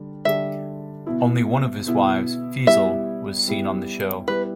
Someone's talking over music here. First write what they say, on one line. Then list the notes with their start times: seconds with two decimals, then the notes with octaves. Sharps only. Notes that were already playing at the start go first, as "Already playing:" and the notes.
Only one of his wives, Feezal, was seen on the show.
Already playing: D3 G3 D4
0.25 D3 G3 D4 G4 E5
1.07 B2 B3 E4
1.87 B2 B3 E4
2.67 G3 B3 E4 G4 E5
3.47 G3 B3 E4 G4
4.28 G3 B3 E4 G4 B4